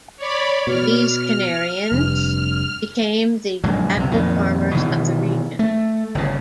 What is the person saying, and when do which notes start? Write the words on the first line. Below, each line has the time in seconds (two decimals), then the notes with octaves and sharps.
These Canarians became the tobacco farmers of the region.
0.17 C#5 D5 B5
0.67 B2 F6
1.92 F1 G2
3.64 A#1 F#2 D3 G#3
3.97 B1 C3
4.11 F2 A#2 D#3
4.75 B2 D#3 E3
5.59 A3
6.15 G1 C#3